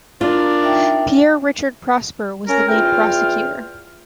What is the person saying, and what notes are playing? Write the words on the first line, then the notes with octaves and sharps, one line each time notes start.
Pierre-Richard Prosper was the lead prosecutor.
D4 F4 A#4
D#4 E5 G5
C#4 A#4
E2 E4 F4 G5 F6